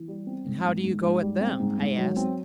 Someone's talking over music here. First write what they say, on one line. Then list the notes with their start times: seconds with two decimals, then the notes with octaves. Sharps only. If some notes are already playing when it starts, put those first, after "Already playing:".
"And how do you go at them?" I asked.
Already playing: E3
0.08 G3
0.27 C4
0.45 G#2
0.65 G#2
0.84 G#2
1.03 G#2
1.22 G3
1.41 C4
1.60 G#2
1.78 G#2
1.97 F#3
2.16 C4